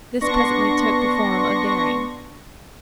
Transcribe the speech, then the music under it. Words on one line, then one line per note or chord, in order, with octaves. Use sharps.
This presently took the form of "daring."
B3 D4 C6 C#6 A#6